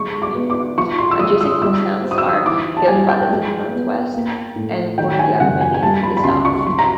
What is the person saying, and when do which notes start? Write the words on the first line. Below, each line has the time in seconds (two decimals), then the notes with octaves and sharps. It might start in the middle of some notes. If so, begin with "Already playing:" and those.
Adjacent coast towns are Glyfada to the northwest and Vouliagmeni to the south.
Already playing: D3 F#3 G#3 C#6
0.22 D6
0.35 B3
0.50 D6
0.78 F3 C#6
0.98 C6
1.11 E6
1.19 G#3 D#6
1.41 E6
1.62 G3 E6
2.03 C4
2.11 D#6
2.18 E6
2.46 E3 D6
2.77 A5
2.88 G3 G#5
3.09 G5
3.30 G#3
3.72 B3
4.14 A#3
4.56 A2
4.98 D#3 G5
5.19 G#5
5.40 F#1 F#5
5.61 G#5
5.74 G#5
5.82 G3 A5
6.03 B5
6.17 B5
6.24 C#2 C6
6.45 C#6
6.66 F#3 C6
6.79 A#5